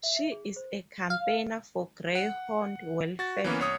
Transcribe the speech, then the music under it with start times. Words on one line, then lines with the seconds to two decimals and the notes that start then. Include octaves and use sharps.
She is a campaigner for greyhound welfare.
0.03 E5
0.16 E5
0.32 G#4
0.56 C5
1.10 F5
2.15 F#5
3.19 F#4 A6
3.44 E3 A#3 B3 C#4
3.59 C2 C#5 D#6